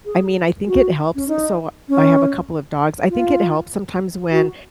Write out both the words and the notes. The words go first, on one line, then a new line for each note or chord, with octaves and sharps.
I mean, I think it helps. So, I have a couple of dogs. I think it helps sometimes when
G#4
F#4
C#4
D#4
C#4
F4
F#4